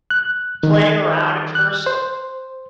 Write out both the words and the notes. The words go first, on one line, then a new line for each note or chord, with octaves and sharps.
playing around at first.
F#6
D#3
F#6
C5